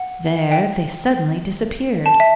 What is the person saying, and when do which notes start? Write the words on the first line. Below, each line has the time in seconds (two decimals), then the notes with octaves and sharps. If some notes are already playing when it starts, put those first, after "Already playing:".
There they suddenly disappeared.
Already playing: F#5
0.52 G5
2.06 A5
2.20 E5